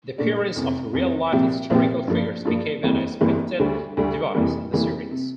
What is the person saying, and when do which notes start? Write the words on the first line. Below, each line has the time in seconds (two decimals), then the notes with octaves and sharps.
The appearance of real-life historical figures became an expected device in the series.
0.18 A#2 A3 D4
0.56 F1 E2 C3
0.94 F1 E2 C3
1.32 C2 A#2 F3 C4 G4
1.70 C2 A#2 F3 C4 G4
2.07 G2 F3 A#3
2.45 G2 F3 A#3
2.83 G1 F2 E3 G3 A#3
3.21 G1 F2 E3 G3 A#3
3.59 D2 D3 G3
3.97 D2 D3 G3
4.35 F1 F2 E3 G3 A#3
4.72 F1 F2 E3 G3 A#3
5.11 C3